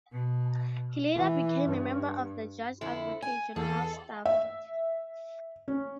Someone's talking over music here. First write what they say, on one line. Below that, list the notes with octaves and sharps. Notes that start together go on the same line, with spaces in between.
He later became a member of the Judge Advocate General's staff.
B2
E3
G2
F2 D3 E4
G#5
E2 G#4 A4
E5
C#4